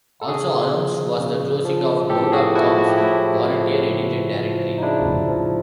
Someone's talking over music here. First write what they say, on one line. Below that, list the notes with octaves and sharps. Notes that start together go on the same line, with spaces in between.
Also announced was the closing of Go dot com's volunteer-edited directory.
A4
C#3 F#4 G#4
F3
C#3
F3
A2 G4 A4
F#4 G#4
F3 E4 F#4
F#4
G4
A2 E4 F#4
F3
C#3
F3
D#4
C#3 D4 E4
F3